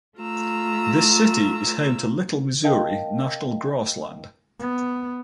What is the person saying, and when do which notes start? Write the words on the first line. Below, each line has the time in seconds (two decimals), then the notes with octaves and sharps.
This city is home to Little Missouri National Grassland.
0.19 A3 F4 A#5 E6
2.64 A#4 D#5 F5 G5 A5
4.60 B3